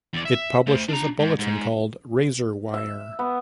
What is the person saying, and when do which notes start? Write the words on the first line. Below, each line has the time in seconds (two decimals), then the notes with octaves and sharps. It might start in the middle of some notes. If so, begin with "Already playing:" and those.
It publishes a bulletin called "Razor Wire".
0.13 E2 D5
0.25 E5
0.67 A3 C5
0.89 D4 A#5
1.19 G#2
1.39 G#2
2.74 E5
3.19 B3